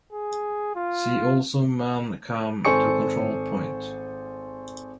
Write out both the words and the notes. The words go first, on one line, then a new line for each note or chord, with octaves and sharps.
See also Man Kam To Control Point.
G#4
F4
G#1 A4 C5 G#5 C#6 C#7